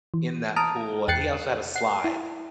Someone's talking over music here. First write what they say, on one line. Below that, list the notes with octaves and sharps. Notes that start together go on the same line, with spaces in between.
in that pool, and he also had a slide.
E3
A5 A#5 D#6 F6 D7
E2 G5 F#6 A6 C7 C#7
F#5 C7
E4